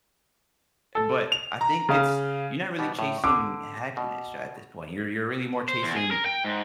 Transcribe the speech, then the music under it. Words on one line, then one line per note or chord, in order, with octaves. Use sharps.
But I think it's you're not really chasing happiness right at this point. You're you're really more chasing,
A4
F7
A#5
C#3 F5
B2 G3 B3
A2
D3 D6
B2
C5
E2
G#4
A#4
G5
G#2